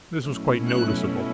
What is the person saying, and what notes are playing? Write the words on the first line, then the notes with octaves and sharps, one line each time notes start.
This was quite noticeable.
B2 F#3 A3 C#4 E4
F#6